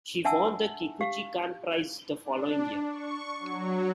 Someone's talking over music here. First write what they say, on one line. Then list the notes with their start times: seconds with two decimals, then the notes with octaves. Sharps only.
She won the Kikuchi Kan Prize the following year.
0.25 D4 E5 F#5 G#5 A5 E6
1.01 G4 F5
2.23 D4
2.88 C#6
3.39 F#3